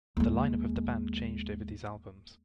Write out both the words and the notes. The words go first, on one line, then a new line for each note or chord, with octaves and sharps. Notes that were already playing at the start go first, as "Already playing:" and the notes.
The lineup of the band changed over these albums.
D#2 G#3